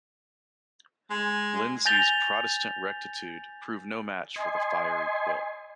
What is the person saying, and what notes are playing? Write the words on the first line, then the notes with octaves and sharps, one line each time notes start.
Lindsay's "Protestant rectitude" proved no match for the "fiery" Quill.
G#3
G#5 G6 A6 A#6 F7 G7
D#5 G#5 C6